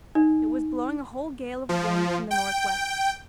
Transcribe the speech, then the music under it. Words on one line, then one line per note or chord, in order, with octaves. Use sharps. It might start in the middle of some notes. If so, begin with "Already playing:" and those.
It was blowing a whole gale of wind from the north-west.
D#4
F3
G5